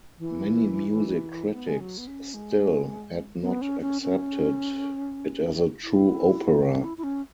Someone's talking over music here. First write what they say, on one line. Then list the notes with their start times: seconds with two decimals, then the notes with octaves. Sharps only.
Many music critics still had not accepted it as a true opera.
0.19 E3
1.54 B3
1.68 G#3
1.80 F#3
1.98 B3
2.07 C#4
2.34 G#3
3.42 B3
3.62 C#4
3.81 C#4
4.02 C#4
5.84 E4
6.63 C#4
6.74 C#4
6.84 E4
6.98 E4
7.04 C#4